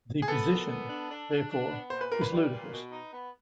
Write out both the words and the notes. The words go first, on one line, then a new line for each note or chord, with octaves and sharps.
The position, therefore, is ludicrous.
G#4
B3 A4
A#2
B3
D4
D4
D4
D4
B3
A#2 C5
B4
A#2 A#4
B4
G3
A#2
B2
D#4
B3